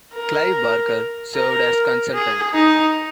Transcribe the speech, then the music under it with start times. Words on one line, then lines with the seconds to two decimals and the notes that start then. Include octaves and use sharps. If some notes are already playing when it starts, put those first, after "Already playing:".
Clive Barker served as consultant.
0.14 A#4
1.35 A#4
2.14 G#4
2.54 D#4